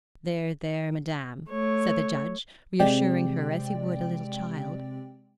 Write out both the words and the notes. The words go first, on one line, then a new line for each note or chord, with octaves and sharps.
"There, there, madame," said the Judge, reassuring her as he would a little child.
A3 C#5
C3 G#3 C4 G4 D5 G5